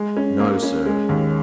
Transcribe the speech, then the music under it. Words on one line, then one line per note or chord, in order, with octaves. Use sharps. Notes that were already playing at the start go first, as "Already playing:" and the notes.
No, sir!
Already playing: G#3
C#4
A#3
C#4
G#3
D#2